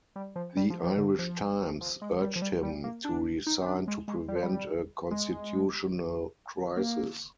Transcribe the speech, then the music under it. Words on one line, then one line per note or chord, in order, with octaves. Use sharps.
"The Irish Times" urged him to resign to prevent a constitutional crisis.
G3
F3
G3
F3
F3
D3
F3
F3
G#3
G3
F3
G3
G3
A#3
D4
D#4
C4
D4
G#3
G#3
G3
F3
G3
G#3
A#3